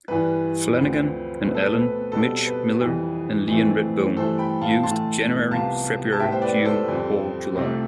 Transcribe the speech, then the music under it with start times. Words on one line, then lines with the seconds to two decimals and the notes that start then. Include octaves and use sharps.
Flanagan and Allen, Mitch Miller and Leon Redbone used January, February, June or July.
0.08 G2 E3 G3 B4
0.76 D2 D3 F3 C4
1.44 B2 A3 C4 B4
1.54 A4
1.65 B4
1.79 B4
2.12 B2 G3 C4 A4
2.46 B4
2.81 F2 E3 G3
3.48 F2 E3 A3 C4
4.15 G2 E3 A3 A4 C5
4.38 G5 B5
4.61 F5 A5
4.83 A2 E3 A3 A5 C6
5.51 C2 C3 F3 B3 F5 A5
6.12 A5
6.20 A2 G3 B3 E5 G5
6.32 C5
6.42 B4 D5
6.65 A4 C5
6.88 F2 D3 G3 C4
7.55 C2 C3 F3 A3 C4